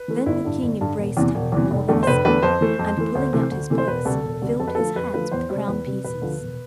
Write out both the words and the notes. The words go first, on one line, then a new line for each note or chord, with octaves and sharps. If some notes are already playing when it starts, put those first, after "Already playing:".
Then the King embraced him more than a son, and pulling out his purse, filled his hands with crown-pieces.
Already playing: B4
E3 A3
G1 E4
G2 D3
G1
G2 D3
E1
E2 C3 E3
E1
E2 C3 E3
F1
E2 D3 A3
C5
F1 B4
E2 D3 A3 B4
F2 C5
E3 A3
F2
E3 A3
D2 C5
C3 E3 A3
D2
C3 E3 A3
C5
E1 B4
D2 C3 G3 A4
E1
D2 C3 G3
F2 A4
B4
D3 F3 A3 A4
F2 B4
D3 F3 A3 B4
E2 C5
C3 G3 C5
E2 B4
C3 G3
E1 B4
D2 D3 F3
E1